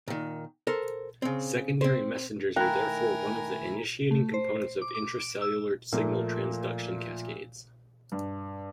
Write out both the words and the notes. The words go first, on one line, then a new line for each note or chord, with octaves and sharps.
Secondary messengers are therefore one of the initiating components of intracellular signal transduction cascades.
A#2 D#3
A4 A#4 C5
C#3 C4
C4 C5
D#3 A3 E4 A#4 G5 G#5 A#5 F#6
A3
C5
D6
D6
D7
E6
A#2 F3 A3 A#3
G2